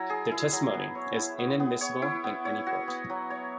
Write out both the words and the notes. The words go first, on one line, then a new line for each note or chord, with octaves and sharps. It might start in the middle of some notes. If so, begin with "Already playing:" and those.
Their testimony is inadmissible in any court.
Already playing: F#3 E4
G#4
E4
F#3
B3
C#5
E4
B3
B3
C#5
E4
B3
C#5
F#4
B3
F#3
C#5